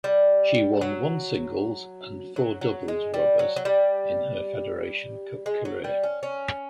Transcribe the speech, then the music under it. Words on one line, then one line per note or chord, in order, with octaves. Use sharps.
She won one singles and four doubles rubbers in her Federation Cup career.
G3
F#3
F#3
F#3
G#3
G3
F#3
F#3
G3
G#3
F#3
G3
C#4
C#4